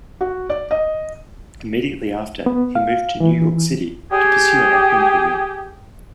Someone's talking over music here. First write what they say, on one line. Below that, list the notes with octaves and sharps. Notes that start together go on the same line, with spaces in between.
Immediately after, he moved to New York City to pursue an acting career.
F#4
D5
D#5
B3
F5
E3
G4 G#4